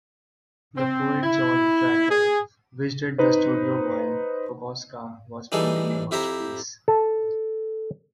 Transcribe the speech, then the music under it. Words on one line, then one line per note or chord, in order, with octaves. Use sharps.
The poet Georg Trakl visited the studio while Kokoschka was painting this masterpiece.
C4
E4
G#4
D#4 B4 C5
E3 G3 D#4 G#4 A4
F2 E4 G4 C5 A#5
A4